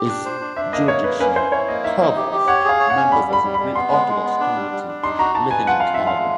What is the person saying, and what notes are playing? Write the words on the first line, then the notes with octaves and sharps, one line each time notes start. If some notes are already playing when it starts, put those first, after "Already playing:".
Its jurisdiction covers members of the Greek Orthodox community living in Canada.
Already playing: G4
D4
C5
D4
D4 E5
A#3 D#5
A#3 C#5
A#3 B4
C#4 B4
E4 C5
E4 C#5
A#3 D#5
D#4 E5
D#4
G4
G4
C#5 F#5
G#4 F5
C#5
F#5
C#4
G3 B5
G3 B5
G3
B5
G3
B3 C6
G#3
G#3
B3
D4
G3
G3
D4
D#4 C6
F#4 A#5
D#4 A5
B4 G#5
F4 F#5
F4 F5
G#3 E5
F5
G#3